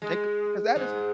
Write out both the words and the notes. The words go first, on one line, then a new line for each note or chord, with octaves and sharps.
Like, 'cause that is m
G#3
G#2